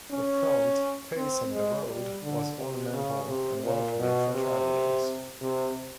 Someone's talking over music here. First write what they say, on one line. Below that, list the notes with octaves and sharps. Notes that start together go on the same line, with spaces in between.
The front, facing the road was ornamental and welcoming for travelers.
C#4
C4
G#3
G3
D3
C3
C#3
C3
A#2
B2
C3
C3